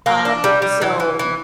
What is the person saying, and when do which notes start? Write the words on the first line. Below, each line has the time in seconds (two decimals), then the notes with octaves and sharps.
um, so,
0.06 A#3
0.25 D4
0.44 G3
0.62 G3
0.82 E3
1.00 E3
1.19 E3